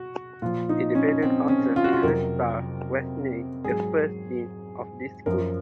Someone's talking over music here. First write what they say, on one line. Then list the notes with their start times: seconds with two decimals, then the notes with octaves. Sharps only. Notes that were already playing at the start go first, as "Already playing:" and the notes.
Independent Counsel Kenneth Starr was named the first dean of this school.
Already playing: F#4
0.42 A#2 F3 F4
0.69 D#4
0.95 C#4
1.22 C4
1.49 C#4
1.76 F4
1.84 F#4
1.93 F4
2.03 F2 C3 F#3 A#4
3.64 G#2 F#3 G#4
5.26 F#2 F3 A#4